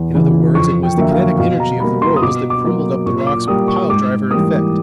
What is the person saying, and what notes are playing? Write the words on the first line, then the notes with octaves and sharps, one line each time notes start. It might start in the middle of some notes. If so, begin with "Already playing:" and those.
In other words, it was the kinetic energy of the rolls that crumbled up the rocks with pile-driver effect.
Already playing: E2
C#3 E3
F2 C#6
G5
D3 F#3 A#3 E5
F5
B2 F5
A#5
G3 A#3 B5
C6
D#6
B2 D6
D6
F#3 A#3
A#2 C#6
D6
G3 A#3 D#6
C#6
G#2 D6
E3 G3 A#3 D#6